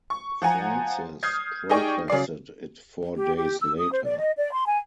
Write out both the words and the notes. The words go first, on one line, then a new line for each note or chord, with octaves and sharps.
Francis protested it four days later.
C#6
F3 F#5 G#5 A#5
D#6 F6 G6 G#6 C7
D#4 G4 G#4 D5 G5 C#6
C#3 F#3 D5 C7
G4
G4
E6
D#6
C5
D5
D#5
D5
C6
G#5